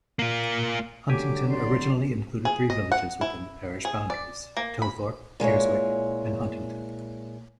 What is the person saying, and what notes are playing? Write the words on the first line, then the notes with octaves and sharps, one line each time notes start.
Huntington originally included three villages within the parish boundaries: Towthorpe, Earswick and Huntington.
A#3 F4
D3 F#3 G4 G#5 D6
D5 C6
G#4
D#5
F#5
E4
G#4
D5
A#3
B5
A#2 G#3 E4 C#5